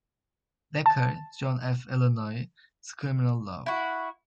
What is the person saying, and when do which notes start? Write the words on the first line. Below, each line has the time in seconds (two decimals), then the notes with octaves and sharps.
Decker, John F. Illinois Criminal Law.
0.86 A5
3.66 E4 F#4